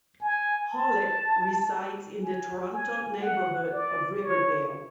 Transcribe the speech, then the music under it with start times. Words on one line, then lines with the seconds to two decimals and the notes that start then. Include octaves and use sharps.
Hollett resides in the Toronto neighbourhood of Riverdale.
0.21 G#5
0.72 A5
2.23 G#5
2.73 G#5
3.22 F#5
3.73 D5
4.23 C#5